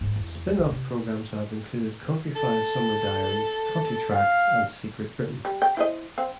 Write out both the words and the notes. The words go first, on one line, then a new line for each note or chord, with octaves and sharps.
Spin-off programmes have included "Countryfile: Summer Diaries", "Country Tracks" and "Secret Britain".
G#2 G#3
E2
C2 A#2
C3 D#4
A4
F5
G3
G5
E4 C5 D#5
C4 F5